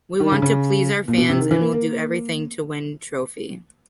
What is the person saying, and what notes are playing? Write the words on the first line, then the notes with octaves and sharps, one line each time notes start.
We want to please our fans and will do everything to win trophy.
D#3
C#3
C#3
A#2
B2
C3
D#3
E3
A#3
A#3